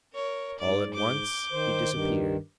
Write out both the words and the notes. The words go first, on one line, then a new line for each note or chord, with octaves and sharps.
All at once he disappeared.
A#4 C#5
G#2 D5
D6 G6
D#3 C5
G2 D#3